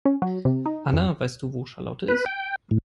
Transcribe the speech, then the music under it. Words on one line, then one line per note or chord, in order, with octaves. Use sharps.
Anna, weißt du wo Charlotte ist?
C#4
F#3
C3
D#4
F2
B4
G5
A2